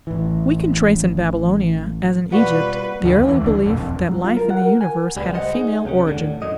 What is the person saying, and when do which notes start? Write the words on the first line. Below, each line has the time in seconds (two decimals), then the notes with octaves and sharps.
We can trace in Babylonia, as in Egypt, the early belief that life in the Universe had a female origin.
0.07 A1 E3
2.32 B2 G3 A#3 F4 B4 F#5 C#6
3.04 D#2 D3 E3 F3
3.27 E2 E3
3.41 C#2 D3
3.65 E1 A#1 F2
4.09 F#3
4.24 F4
4.37 A#4
4.50 F#5
4.62 A#4
4.81 G#5
5.17 C#2 G3 B3
5.34 C5 D#5 F#5
5.54 D#4 G#4
5.85 C2 G3 C#4
6.07 D#2 A2 D3
6.42 F#2 F#3 D#5